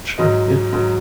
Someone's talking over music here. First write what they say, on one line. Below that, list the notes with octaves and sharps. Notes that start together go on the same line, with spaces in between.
Sure, yeah.
G#2 F#3 D#5
G#2 F#3